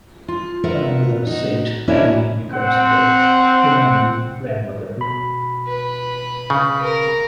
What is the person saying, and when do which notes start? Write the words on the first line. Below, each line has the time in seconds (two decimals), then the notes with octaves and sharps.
Her mother Saint Anne becomes the heavenly grandmother.
0.28 F4
0.64 F4 A#4 B4 E5 F#5
1.27 D#4 F#4
1.88 A#3 C#4 D4 E4 F#4 A#4
2.53 C4 F#5
4.98 B2 B5
5.67 B4
6.50 C#3
6.82 A#4